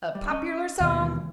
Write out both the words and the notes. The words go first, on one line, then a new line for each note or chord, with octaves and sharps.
"A popular song?"
G3
C#4 D#5
D#2 B2 D#5 F5
C#2 E3